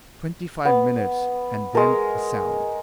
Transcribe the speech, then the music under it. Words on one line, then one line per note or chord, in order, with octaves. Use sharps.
Twenty-five minutes, and then a sound.
B3
G#3 A#4